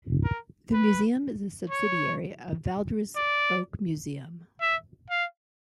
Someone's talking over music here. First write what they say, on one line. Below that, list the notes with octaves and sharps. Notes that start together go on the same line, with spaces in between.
The museum is a subsidiary of Valdres Folkemuseum.
A#4
B4
C#5
D5
E5
F5